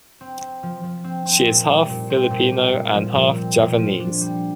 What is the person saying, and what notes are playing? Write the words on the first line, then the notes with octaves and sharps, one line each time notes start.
She is half-Filipino and half-Javanese.
C4
C4
F3
F3
C4
C4
A#2
G3
A#2
C4
A#2
G3
A#2
F3
A#2
C4
A#2
F3
D4
G3